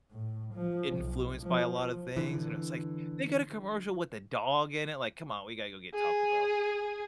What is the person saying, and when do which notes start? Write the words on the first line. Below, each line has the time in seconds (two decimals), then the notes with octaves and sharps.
influenced by a lot of things, and it's like, they get a commercial with a dog in it. Like, "Come on, we gotta go get Taco Bell."
0.12 A2
0.54 F3
0.96 B1
1.42 F3
2.17 D3 E3
5.94 G#4